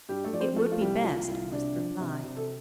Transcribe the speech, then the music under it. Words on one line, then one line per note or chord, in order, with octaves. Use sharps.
"It would be best," was the reply.
G2 G3 G4
A3 A4
F3 D5
C4 C5
F3 A3 A4
F4
C2 G3 G4
C2 F4
C2
C3 D4
F3
C3
C3
A4